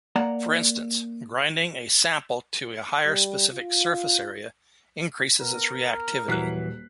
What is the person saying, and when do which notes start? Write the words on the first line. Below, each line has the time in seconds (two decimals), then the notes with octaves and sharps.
For instance, grinding a sample to a higher specific surface area increases its reactivity.
0.16 A#3 D5 F#5 A#5
3.06 G3
3.53 F4
5.41 B3 A#4
6.28 D#1 E3 F#3 F#6 B6 C7